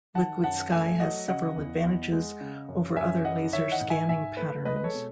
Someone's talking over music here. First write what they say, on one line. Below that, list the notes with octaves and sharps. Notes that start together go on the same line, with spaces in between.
Liquid sky has several advantages over other laser scanning patterns.
D#3 F#5 A5
F#2 F#5 A5
A3 E5 G#5
F#3 D#5 F#5
C#3 D#5 F#5
E2
E2
G#3
C#3
F#2
F#2 E5 G#5
E3 D#5 F#5
D#3 C#5 E5
D#5 F#5
G#2
E5 G#5
G#2 E5 G#5
A3 B4
G#3 B4 D#5
B4
A4 C#5
B2